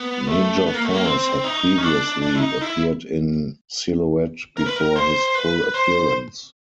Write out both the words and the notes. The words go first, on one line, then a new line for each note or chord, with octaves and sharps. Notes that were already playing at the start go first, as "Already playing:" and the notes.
Major Force had previously appeared in silhouette before his full appearance.
Already playing: B3
A3
B3
A#3
A3
A#3
C4
D#4
C#4
D4
D4
E4
D#4
E4
A#4
B4
A#4
C5
B4
C5